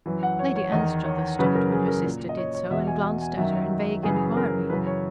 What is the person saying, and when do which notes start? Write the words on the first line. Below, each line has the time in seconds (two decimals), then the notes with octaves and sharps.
Lady Anstruthers stopped when her sister did so, and glanced at her in vague inquiry.
0.06 F#2 E3
0.23 F#5
0.39 C#5
0.56 C#5
0.72 E2 D#3 D#5
1.05 C#5
1.39 F#2 C#3 E3 B4
1.55 A#4
1.72 G#4
1.88 A#4
2.05 A#2
2.29 D#5
2.37 C#5
2.55 C#5
2.71 E2 B2 E5
2.87 G#5
3.21 G#5
3.37 F#2 D#3 E5
4.03 F#2 C#3 E3 G#4
4.37 A#4
4.70 F#2 C#3 E3 B4
4.87 C#5